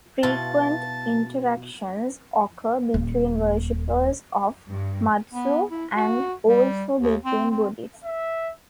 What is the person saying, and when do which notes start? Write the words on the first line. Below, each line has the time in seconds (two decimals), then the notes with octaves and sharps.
Frequent interactions occur between worshipers of Matsu, and also between Buddhists.
0.23 B2 E4 F4 A5
2.94 D#1 D#2
4.69 G2
5.31 B3
5.70 E4
5.95 F#4
6.48 G3
7.01 D#2
7.25 C4
7.51 C4
8.04 E5